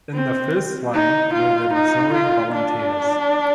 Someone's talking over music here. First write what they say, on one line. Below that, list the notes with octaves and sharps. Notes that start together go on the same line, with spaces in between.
In the first line were the Missouri volunteers.
C4
D#4
F4
D#4
F4
D4